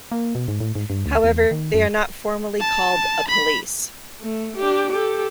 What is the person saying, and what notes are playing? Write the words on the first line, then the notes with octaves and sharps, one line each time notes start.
However, they are not formally called a "police".
A#3
B2
G#2
A2
G#2
G2
D2
E2
D#3
F#2
A5
B5
A3
D4 G4
G4 A4